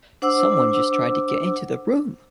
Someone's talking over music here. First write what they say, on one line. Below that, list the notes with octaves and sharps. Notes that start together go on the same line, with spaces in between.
Some one just tried to get into the room!
D4 C5 F#5 D6 E6